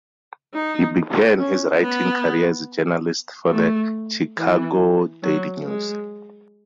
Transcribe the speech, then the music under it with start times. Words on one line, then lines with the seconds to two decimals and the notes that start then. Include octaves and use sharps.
He began his writing career as a journalist for the "Chicago Daily News".
0.54 D#4
1.39 C#4
1.81 B3
3.52 A3
4.38 E3
5.23 F#3
5.66 G#3